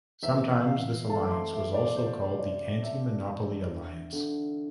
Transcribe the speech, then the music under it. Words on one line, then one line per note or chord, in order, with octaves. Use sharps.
Sometimes this alliance was also called the "anti-monopoly alliance".
E3 E5
E3 F5
A3 A5
D6
C6
A3 E5
D5
C3 C5
C4 D5
C4 E5
E3
D3
D3